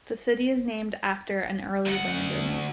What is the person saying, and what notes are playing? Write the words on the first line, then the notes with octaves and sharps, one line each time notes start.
The city is named after an early landowner.
D2 F#5